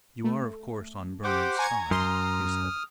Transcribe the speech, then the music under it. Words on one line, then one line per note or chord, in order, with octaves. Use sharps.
"You are, of course, on Bernard's side," he said.
A3
G4 C5 F#5 D6
G#5 A#5 C#6 G#6
F#2 C6 D#6 F6